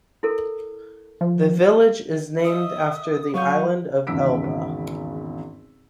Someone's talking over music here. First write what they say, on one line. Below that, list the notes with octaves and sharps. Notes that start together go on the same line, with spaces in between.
The village is named after the island of Elba.
E4 A4 A#4
F3
D#5 E5 D#6
F#3 F5 F#5 C#6 D#6 G6
G#1 E2 C#3 E6 B6 D7